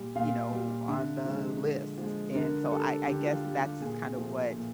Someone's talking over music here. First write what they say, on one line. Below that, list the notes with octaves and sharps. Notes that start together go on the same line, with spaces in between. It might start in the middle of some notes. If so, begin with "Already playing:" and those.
you know, on the list," and so, I I guess that's just kinda what
Already playing: A#2 G3
A#2 F5
G3
D3 E5
F3 G#3
D3
F3 G#3
D3 A#4
G3 A4
D3 G4
F4
G3
G4
A#2 G#4
F3 A3
A#2